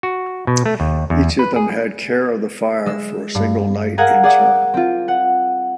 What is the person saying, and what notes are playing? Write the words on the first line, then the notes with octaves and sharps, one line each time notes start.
Each of them had care of the fire for a single night in turn.
F#4
B2
A3
D#2
E2
B4
G#4
G#3 E6
G2
G#4 A#4 F5 F#5 G#5
G#4 D5 F#5
C4 F4
F#5